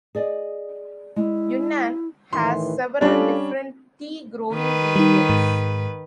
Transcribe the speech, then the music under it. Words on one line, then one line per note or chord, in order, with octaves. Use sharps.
Yunnan has several different tea growing regions.
G#4 D5 D#5
G#3 E4
A2 D#3 E3 C6
G3 C#4 D4 F4 A4
D#3 B4
G3 D#4
G#2